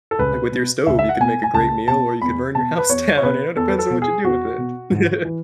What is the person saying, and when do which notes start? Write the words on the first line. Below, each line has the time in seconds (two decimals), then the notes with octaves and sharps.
Like, with your stove, you could make a great meal or you could burn your house down, you know, it depends on what you do with it. Yeah.
0.11 A4
0.19 C#2 B4
0.52 B2
0.86 C#2 E5
0.99 E5
1.09 F#5
1.20 B2 G#5
1.43 G#5
1.54 C#2 A5
1.88 B2 A5
2.22 E2 B5
2.55 B2 A5
2.78 B4
2.89 E2 C#5
3.18 C#5
3.22 B2 B4
3.56 E2 A4
3.69 B4
3.79 A4
3.90 B2
4.02 G#4
4.24 E2 F#4
4.58 B2
4.91 G#2
5.25 E3